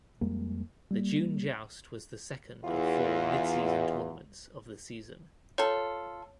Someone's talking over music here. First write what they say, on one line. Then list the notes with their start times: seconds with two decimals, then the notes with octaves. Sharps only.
The June Joust was the second of four midseason tournaments of the season.
0.21 F2 G3 G#3 A#3
0.91 G3 A#3
2.64 E2 F4
5.58 F4 A4 C#5